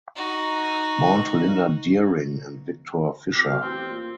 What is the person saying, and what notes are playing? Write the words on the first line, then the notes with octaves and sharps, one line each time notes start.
Born to Linda Deering and Victor Fisher.
D#4 F#4
F2 G4
B2 F5
A1 C4
A#2